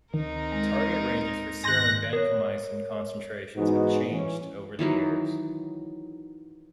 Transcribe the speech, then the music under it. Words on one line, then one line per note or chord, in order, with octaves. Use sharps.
Target ranges for serum vancomycin concentrations have changed over the years.
D2 D#3 C4 D#4 A#4
G#3
G#2 D#3 G#5 C6 F#6 G6 A#6
A#4 C#5
G#2 E3 G#3 B3 D#4 F#4
E3 C#4
D#3 E3 F#3 D#4